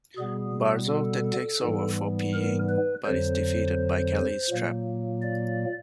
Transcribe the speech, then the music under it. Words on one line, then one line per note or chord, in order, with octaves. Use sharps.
Barzov then takes over for Pi Ying, but is defeated by Kelly's trap.
B2 G3 B3 G#4
A4
G#2 E3 G3 B3
A#4
B4
F2 D3 F#3 C5
A#2 F#3 A#3
D5